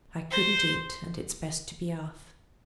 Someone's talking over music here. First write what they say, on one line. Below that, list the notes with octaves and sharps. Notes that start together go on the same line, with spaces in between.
I couldn't eat, and it's best to be off.
C5